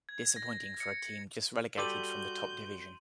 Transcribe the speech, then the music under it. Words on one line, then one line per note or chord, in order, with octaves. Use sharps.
Disappointing for a team just relegated from the top division.
G#6
A#6
C#7
G3 F#4 G4 A4 C6 G6 D#7 F#7